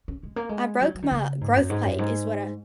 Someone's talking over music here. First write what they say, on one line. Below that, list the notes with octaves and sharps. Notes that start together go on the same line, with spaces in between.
I broke my growth plate, is what I
C#4
G#3
A#3
G#3
F#3
F#3
D#3
C#3
G#2
F#2
G#2
F#2
G#2